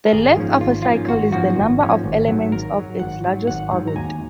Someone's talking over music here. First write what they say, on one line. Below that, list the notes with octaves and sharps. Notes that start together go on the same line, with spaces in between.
The "length" of a cycle is the number of elements of its largest orbit.
A#4
G#1 G#4
G#2 F3 A#3 C#4
G#1 F4
G#2 F3 A#3 C#4 F4
G#1 F#4
G#2 F3 A#3 C#4 F#4
G#1
G#2 F3 A#3 C#4
G#1
G#2 F#3
G#1 A#4
G#2 F#3
G#1 F#5
G#2 F#3
G#1 F#5
G#2 F#3
A#5
D#2 G#5